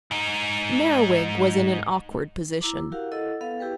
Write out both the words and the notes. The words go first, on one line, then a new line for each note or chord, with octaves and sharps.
Merriwig was in an awkward position.
G#2 D#4
E4 A#5 D6
E4 F#4 G4 A#4 F5 F#5
E4 A4 D#5 F#5
B3 A4 B4 F5
E4 G4 G#4 B4 G5